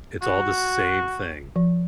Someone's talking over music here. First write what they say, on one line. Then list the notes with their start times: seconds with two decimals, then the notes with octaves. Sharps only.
It's all the same thing.
0.22 F#4
1.56 F3